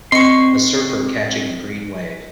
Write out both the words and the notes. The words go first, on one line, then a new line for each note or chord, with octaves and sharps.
A surfer catching a green wave.
C4 D#5 C6 C#6 C#7